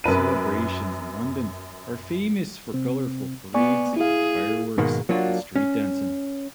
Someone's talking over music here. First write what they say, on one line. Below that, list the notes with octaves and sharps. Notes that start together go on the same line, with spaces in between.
Celebrations in London are famous for colourful parades, fireworks, and street dancing.
F#2 A#4 B4 D#7
C3 C4
B3 D5 G#5 C#6
E4 G#4 F5
G#2 B2 D#3 G#3 A#3
F#3 A#3 D4 F4 F#4
C#4